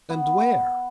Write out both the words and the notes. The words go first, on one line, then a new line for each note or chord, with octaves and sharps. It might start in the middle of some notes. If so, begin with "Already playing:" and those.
And where?
B3